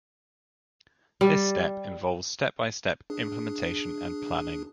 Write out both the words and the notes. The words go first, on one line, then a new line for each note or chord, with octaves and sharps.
This step involves step-by-step implementation and planning.
G3
D4 G#4